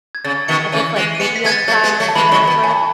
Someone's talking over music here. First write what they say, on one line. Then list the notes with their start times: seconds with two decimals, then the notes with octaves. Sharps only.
I guess, like, video class or whatever,
0.15 G#6
0.25 C#3 A6
0.48 B2 D#3 C#7
0.72 C#3 E3 D#7
0.96 E3 G#3
1.15 D#7
1.20 G#3 B3 C#7
1.36 B6
1.44 G#3 B3 G#6
1.52 A6
1.68 F#3 A3 A6
1.84 G#3 B3
2.00 F#3 A3
2.09 A5
2.15 E3 G#3 B5
2.31 D#3 F#3
2.47 B2
2.63 A2 G#5